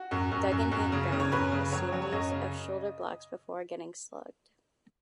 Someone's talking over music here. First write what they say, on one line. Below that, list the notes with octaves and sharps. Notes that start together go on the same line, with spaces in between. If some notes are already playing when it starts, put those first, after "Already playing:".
Duggan hit Brown a series of shoulder blocks before getting slugged.
Already playing: F#4
F#2
F#2
F#2
F#2
C#3
C#3
C#5
F#2 B4
C#3
F#3 C#5
F#3
C#5
F#2 D#5
C#3